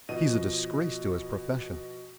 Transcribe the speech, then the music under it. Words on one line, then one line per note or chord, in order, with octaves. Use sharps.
"He's a disgrace to his profession!"
B2 F3 D#5 D#7